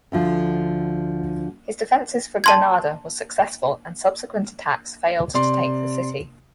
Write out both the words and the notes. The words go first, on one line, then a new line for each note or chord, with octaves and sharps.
His defenses for Granada were successful and subsequent attacks failed to take the city.
D2 D3 F3
A5 C6 G#6
C3 D5 C6